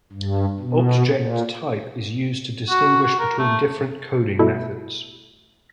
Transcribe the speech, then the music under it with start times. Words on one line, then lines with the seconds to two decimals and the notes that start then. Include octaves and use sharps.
Object Type is used to distinguish between different coding methods.
0.12 G2
0.59 B2
1.12 A#2
2.70 F#4
3.03 F#4
3.19 A#4
3.38 A3
4.39 B2 A3 E4